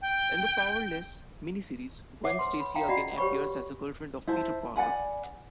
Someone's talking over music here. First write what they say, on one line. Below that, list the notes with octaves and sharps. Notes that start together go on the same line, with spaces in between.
In the "Powerless" mini-series, Gwen Stacy again appears as the girlfriend of Peter Parker.
G5
C#5 E5 F#5 D6
B4 C6
B5
F5 G5 A#5
F4 F#4 D5 D#5 F#5 B5
G4 B4 C#5 B5 C#6
E4 C5 A5
D5 F#5 G#5 B5